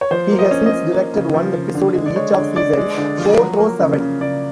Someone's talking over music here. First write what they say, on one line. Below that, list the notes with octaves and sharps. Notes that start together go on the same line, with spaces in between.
He has since directed one episode in each of seasons four through seven.
C#5
F3 C5
A#3
D#5
C#4
D#5
C#4
A#3
C#3
F3
C#3
D3
G#3
D5
G#3 C#5
D3
D3 D5
G#3
D3
F3
F#3
A#3
C#3
C#3
C#3 D5